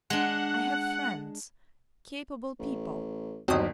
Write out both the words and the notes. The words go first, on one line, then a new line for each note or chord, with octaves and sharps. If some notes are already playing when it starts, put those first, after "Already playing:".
I have friends... capable people....
G#3 D4 F#5
A1
G1 D#2 D#3 F#3 C4 D#4 D#6